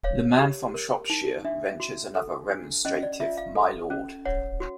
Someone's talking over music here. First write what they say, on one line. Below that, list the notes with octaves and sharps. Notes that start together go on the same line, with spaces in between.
The man from Shropshire ventures another remonstrative "My lord!"
C#5 F5
G4
A#4
D#4
D4 E5
F#4
A4
D4
C#4 D#5
D5
F4 E5
F5
A4
C#4
C#5 F#5
F#4